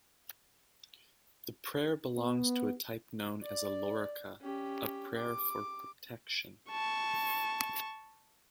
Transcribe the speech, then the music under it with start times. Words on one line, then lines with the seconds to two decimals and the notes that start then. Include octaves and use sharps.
The prayer belongs to a type known as a "lorica", a prayer for protection.
2.18 B3
3.42 D5
4.41 C#4 G4
5.16 D6
6.71 A5 C#6